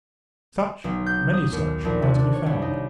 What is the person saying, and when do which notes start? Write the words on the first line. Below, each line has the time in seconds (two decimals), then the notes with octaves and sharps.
Such, many such, are to be found.
0.84 B1
1.06 G6
1.33 D#6
1.52 D#2
1.85 A#1
2.02 C3
2.16 D4
2.34 C#5
2.46 C2
2.62 D#4